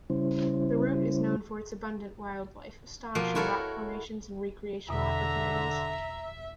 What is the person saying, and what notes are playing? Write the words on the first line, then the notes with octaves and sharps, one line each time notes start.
The route is known for its abundant wildlife, astonishing rock formations, and recreational opportunities.
C#3 G3 C#4 E4 C5
B2 F3 A#3
E4 F#4 A4 A#4 C#5
E2 B2 D3 E5 A#5